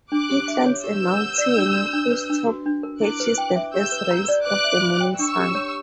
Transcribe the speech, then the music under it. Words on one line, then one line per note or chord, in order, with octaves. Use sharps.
He climbs a mountain whose top catches the first rays of the morning sun.
D4 D6 F#6
G4
E5
C#5
G4 E6 G6
B4
F#5
D5
D4
F#4
D4
B4
D4
F#4
D4
A#4
E4 D6 F#6
B4
G5
E5
G4 E6 G6
B4
A#5
D5
B4 D6 F#6
E5
B5
G5
D4 C#6 E6
G4
C#5